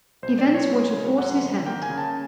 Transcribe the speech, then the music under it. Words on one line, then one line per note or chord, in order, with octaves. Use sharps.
Events were to force his hand.
B1 C5
D5
B2
C#5
G#3
C#3
F#2 F#5
D3
A#3 G5
G#5
C#3
A5